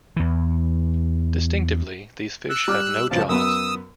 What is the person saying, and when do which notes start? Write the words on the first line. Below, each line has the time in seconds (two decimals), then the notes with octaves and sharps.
Distinctively, these fish have no jaws.
0.16 E2 E3
2.50 E6 F#6
2.68 G3 D6 F6
3.11 C#2 G2 F3 A5
3.29 F#2 B3 D#6 E6